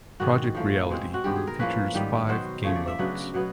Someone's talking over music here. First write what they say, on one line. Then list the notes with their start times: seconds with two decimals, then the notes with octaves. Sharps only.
"Project Reality" features five game modes.
0.20 G#2 D#3 G#3 F#4
0.55 A2 F3 A3
0.89 B2 G#3 C4
1.14 F#4
1.24 G2 D#3 G#3 B3 G4
1.36 G#4
1.47 A#4
1.59 A2 F3 A#3 C#4 B4
1.94 G#2 D#3 G3 B3
2.29 B2 F#3 B3 C5
2.64 C#3 F3 A3 C#5
2.75 D5
2.88 E5
2.99 C#3 F#3 B3 D4
3.34 B2 F#3 B3